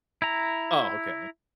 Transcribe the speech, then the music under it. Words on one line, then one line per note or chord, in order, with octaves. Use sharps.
Oh, okay.
E4 A#5